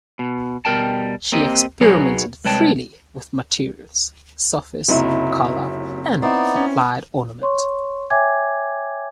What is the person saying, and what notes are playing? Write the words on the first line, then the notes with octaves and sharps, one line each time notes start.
She experimented freely with materials, surface, color and applied ornament.
B2
B2 G3 A#4 G5 A5
A#3 C4 G4 D#5
B1 F#3 B3 G#4 A#4 C#5
C2 G#3 B4 C#5 G5 A5
F#1 C3 F#3 D#4 E4
B3 C4 D#4 E4 D5
C#4
C#5 C6 C#6
C#5 E5 G5 G#5 D6 G#6